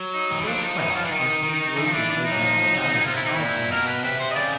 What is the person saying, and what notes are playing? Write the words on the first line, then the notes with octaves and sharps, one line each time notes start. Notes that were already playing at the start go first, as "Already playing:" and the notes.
For a space I stood reading over my abandoned arguments.
Already playing: F#3
D#4
D#3
E3
F3 D4
D#4
E3 D#4
F#3
F3 F4
E3 D4
D#3 D#4
D#3
E3 D#4
F3
E3 D4
D4
D#4
F#3
F3
F#3
A#2
B2
C3 F4
E4
D#4
A#2 E4
B2 A#4
B4
C3 B4
C5
D#5
C#3 D5